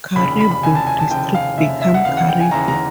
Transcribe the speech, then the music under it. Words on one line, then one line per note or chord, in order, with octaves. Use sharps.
Cariboo District became Cariboo.
F1 D#2 C#3 B5
B5
B5
F1 D#2 C#3 G#5
A5
G#5
A5
F1 D#2 C#3 G5
F5
F1 D#2 C#3 E5
E5
F#5
D#2 C#3 E3 F5
F#5
G5
G#5
D#2 C#3 E3 A#5
A#5